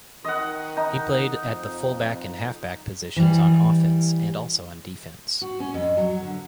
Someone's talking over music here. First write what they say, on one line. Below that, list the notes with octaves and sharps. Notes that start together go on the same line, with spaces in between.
He played at the fullback and halfback positions on offense and also on defense.
D#3 D#5 F#5
D#4
F2
E3 G3
F#4
C#4
F2
F#3
D3